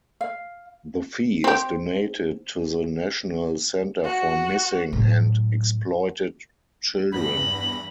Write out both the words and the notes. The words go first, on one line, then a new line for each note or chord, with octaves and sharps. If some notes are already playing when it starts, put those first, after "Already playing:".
The fee is donated to the National Center for Missing and Exploited Children.
F5
C4 G4
F#4
A2 F#3
E2 G2 B5 A#6